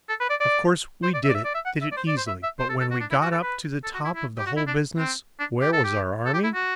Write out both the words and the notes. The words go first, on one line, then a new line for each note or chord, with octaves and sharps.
Of course we did it--did it easy; but when we got up to the top of the whole business, where was our army?
A4
B4
D5
D5
C5
D5
E5
D5
E5
D5
E5
F#5
E5
D5
C5
D5
C5
E5
E5
C5
A4
A4
F#4
D4
E4
F#4
A4
B4
A4
F#4
E4
E4
G4
F#4
E4
D4
C4
D4
G4
A4
G4
A4
G4
E4
F#4